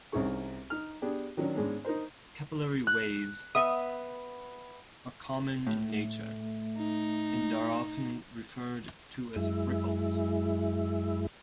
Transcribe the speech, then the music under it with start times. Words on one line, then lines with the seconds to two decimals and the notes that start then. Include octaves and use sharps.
Capillary waves are common in nature, and are often referred to as ripples.
0.12 C2 C3 C#4 D#4 G#4 C#6
0.70 D#4 F6
1.02 B3 D4 G4 G#4
1.37 D#3 F#3 C#4 D4
1.55 G#2 G#3 B3 C#4 D4
1.85 D#4 A#4 C5
2.87 F#6
3.55 B3 E5 D#6
5.67 A2 A3
6.78 D#4
9.36 F#2 G#3 E4